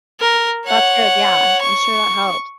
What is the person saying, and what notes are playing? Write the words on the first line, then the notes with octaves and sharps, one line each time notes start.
that's good, yeah, I'm sure that helps.
A#4
C#5 F#5
C#6